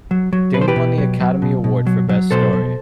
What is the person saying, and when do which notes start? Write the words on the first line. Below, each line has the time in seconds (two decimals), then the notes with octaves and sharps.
Dane won the Academy Award for Best Story.
0.11 F#3
0.33 F#3
0.54 B2 B4
0.61 C5
0.68 G4 B4
0.76 B2
0.98 F#3
1.20 F#3
1.42 B2
1.64 B2
1.86 F#3
2.09 F#3
2.31 B2 A4 C5
2.53 B2